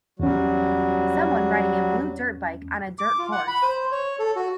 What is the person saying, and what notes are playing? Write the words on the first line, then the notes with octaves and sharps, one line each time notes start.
Someone riding a blue dirt bike on a dirt course.
E2 F#3 G3 C#4 F#4
D6
F4
F#5
B5
C5
C#5
A4
F#4